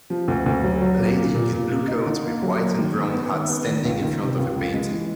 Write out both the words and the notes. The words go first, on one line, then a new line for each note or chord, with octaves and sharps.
Lady in blue coat with white and brown hat standing in front of a painting.
F3
D2
D2
F#3
F#3
A#2
A#2
A#2
A#2
A#3
D#4
D3
A#3
F#3
A#3
D#3
D#3
B3
D#3
B3
D#3
C#2
D#3
C3
C#2
C#2
G#3
E3